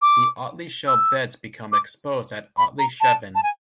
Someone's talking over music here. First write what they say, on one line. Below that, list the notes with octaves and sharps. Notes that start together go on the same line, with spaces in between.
The Otley Shell Beds become exposed at Otley Chevin.
D6
E6
D6
B5
A#5
A5
A5
G#5